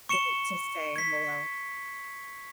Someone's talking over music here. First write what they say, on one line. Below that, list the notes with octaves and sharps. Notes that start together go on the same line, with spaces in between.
think to say "hello".
C#6 C#7 E7 G7
G#6 B6